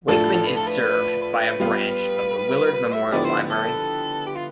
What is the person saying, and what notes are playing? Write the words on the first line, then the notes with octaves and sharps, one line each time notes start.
Wakeman is served by a branch of the Willard Memorial Library.
A2 F3 A3 D4 F4 A4
B4
A4
B4
B4
G3 B3 F4
B4
E5
D3 F3 B3 E4 G4 D5
C5
A4
G4
F4